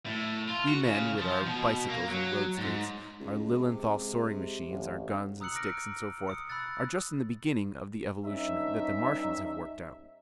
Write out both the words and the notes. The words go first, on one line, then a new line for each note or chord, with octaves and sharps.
We men, with our bicycles and road-skates, our Lilienthal soaring-machines, our guns and sticks and so forth, are just in the beginning of the evolution that the Martians have worked out.
A2
F4
F#4
C#3
F3
B2
A#3
F#3
G#2
C#2 G#3
C3
A1
A#5 D#6 E6 F#6 C#7 F#7
D6 D#6 F6 A#6 D7
D#6 C#7
B5 E6 F#6 A6
G2 C#4 D#4 E5